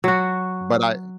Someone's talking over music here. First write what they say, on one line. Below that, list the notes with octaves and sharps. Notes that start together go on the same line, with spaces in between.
But I
F#3 F#4